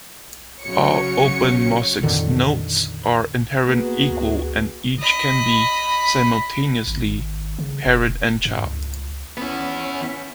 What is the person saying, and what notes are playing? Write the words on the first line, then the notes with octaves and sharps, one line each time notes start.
All openMosix nodes are inherently equal and each can be, simultaneously, parent and child.
C#3 F#3 F#4 C#5 C#7
F2 A#2 D3 D#3
A#3 B3 F#4 G#4 B4
D2
D#5 B5
G#1
C#3
E1
G2
C#2
B3 C#4 E4